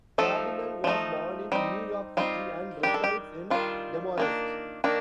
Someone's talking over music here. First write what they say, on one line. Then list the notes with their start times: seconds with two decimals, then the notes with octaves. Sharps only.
Cardinale was born in New York City, and resides in Demarest.
0.18 F3 A3 D#4 A4
0.84 F3 A3 D#4
1.52 G3 C4 D#4
2.17 G3 C4 D#4 F4
2.83 D#3 G3 D4 G4
2.94 A4
3.04 G4
3.50 D#3 G3 D4 F4
4.18 D#3 A#3 D4
4.84 D#3 A#3 D4